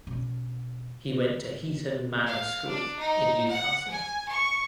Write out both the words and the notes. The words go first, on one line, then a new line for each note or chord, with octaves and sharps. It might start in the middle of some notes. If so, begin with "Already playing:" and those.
He went to Heaton Manor School in Newcastle.
B2 C#4
F5
D4
D#4
F#5
G#5
C#6